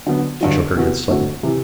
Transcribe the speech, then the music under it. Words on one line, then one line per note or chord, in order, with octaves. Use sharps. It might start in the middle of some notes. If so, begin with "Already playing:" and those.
She shook her head slightly.
D3 F#3 B3
G2 D3 F#3
C3 E3 B3 F#4
D3 A3 C4 F#4
C3 E3